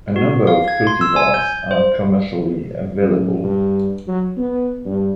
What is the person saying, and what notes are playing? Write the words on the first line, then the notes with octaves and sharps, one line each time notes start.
A number of cultivars are commercially available.
F#4
F5
G#6
C6
E6
G#5
G6
C5
F#2
G2
F#3
B3
G2